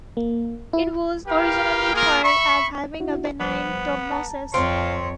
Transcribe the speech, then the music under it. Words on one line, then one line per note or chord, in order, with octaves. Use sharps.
It was originally thought of as having a benign prognosis.
A#3
E4
G4 A#4 B4 F5 G5
A#3 F4 G#4 A#4
E5 B5 C#6
D4 E4 F#4
F3 G3 B3 C5
A5 A#5
F2 C4 F4 C#5